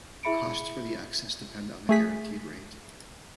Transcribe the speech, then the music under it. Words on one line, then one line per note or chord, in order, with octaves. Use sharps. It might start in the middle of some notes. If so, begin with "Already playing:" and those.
Costs for the access depend on the guaranteed rate.
E4 G#4 E5 B5 C#7 D7
A3 G#4 B6